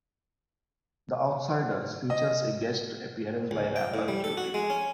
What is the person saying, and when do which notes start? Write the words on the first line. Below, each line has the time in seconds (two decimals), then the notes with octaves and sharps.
"The Outsiders" features a guest appearance by rapper Q-Tip.
2.10 D#5
3.51 C#2
3.76 G5
3.94 A2
4.08 G3
4.24 A4
4.37 F#4
4.54 G#3
4.70 C#4